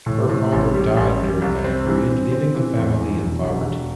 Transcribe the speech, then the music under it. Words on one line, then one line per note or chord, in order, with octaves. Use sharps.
Her father died during that period, leaving the family in poverty.
A2
A2
A1
G3
A1
G3
C2
C4
E3
C4
C4
E3
E2
E3
E1
E1
E1